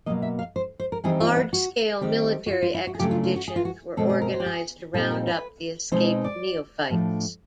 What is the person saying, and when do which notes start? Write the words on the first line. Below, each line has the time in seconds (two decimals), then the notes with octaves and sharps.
Large-scale military expeditions were organized to round up the escaped neophytes.
0.06 B2 F#3 A#3 D#5
0.22 E5
0.39 F5
0.56 C5
0.80 C5
0.92 A#4
1.04 E3 G3 C4 D#4 G#4
1.20 F4
1.37 E4
1.53 F#4
2.01 D#3 G3 C4 G4
2.47 F#4
2.51 F4
2.62 F4
2.74 E4
2.87 F#4
2.95 G#4
2.99 C#3 F#3 A3 D4 G4
3.11 F4
3.24 F4
3.36 F#4
3.48 G#4
3.56 F4
3.65 F#4
3.97 B2 G#3 C4 A4
4.09 G#4
4.22 A#4
4.34 C5
4.40 G4
4.46 G#4
4.94 A#2 G3 C4 D#4 A4
5.11 A#4
5.27 B4
5.92 B2 G#3 C4 D#4 C5
6.24 D5
6.90 A2 F3 A3 D4